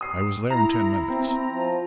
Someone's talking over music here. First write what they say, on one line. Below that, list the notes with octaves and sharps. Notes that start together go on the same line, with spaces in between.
I was there in ten minutes.
D#6 C7
E4 A#5
C4
F3